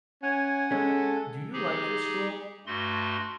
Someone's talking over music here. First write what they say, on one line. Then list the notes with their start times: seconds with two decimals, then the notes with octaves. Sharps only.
Do you like your school?
0.23 C#4 F#5 G#5
0.72 G#3 C#4 A4
1.53 D#4 G4 G#4
2.66 G2 A3 F#4 C6